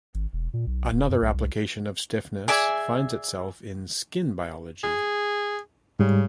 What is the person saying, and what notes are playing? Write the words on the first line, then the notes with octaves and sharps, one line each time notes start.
Another application of stiffness finds itself in skin biology.
G#1
E1
A#2
B1
D#1
F#2
B1
C2
G#4 D5 E5 G#5
G#4
G#2 C#3 G3